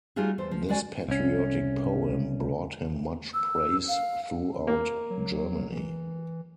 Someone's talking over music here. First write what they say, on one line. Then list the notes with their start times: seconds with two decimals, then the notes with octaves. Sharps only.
This patriotic poem brought him much praise throughout Germany.
0.16 G3 A3 D#4 F4 F#4 G#4
0.38 E2 A4 C5
0.51 F3
0.68 D2 G#3 F#4 D5 G#5
1.09 C2 C#4
3.34 E6
3.88 F5
4.67 A#3
5.10 F#3
5.71 E3